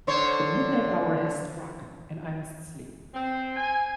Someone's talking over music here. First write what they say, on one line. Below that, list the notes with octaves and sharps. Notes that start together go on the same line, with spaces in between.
The midnight hour has struck, and I must sleep.
D3 C5 C#5
C4
G#5